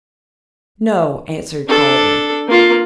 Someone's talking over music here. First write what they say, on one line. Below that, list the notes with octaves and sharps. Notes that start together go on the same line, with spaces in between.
"No," answered Calder.
D4 A4
A#3 F4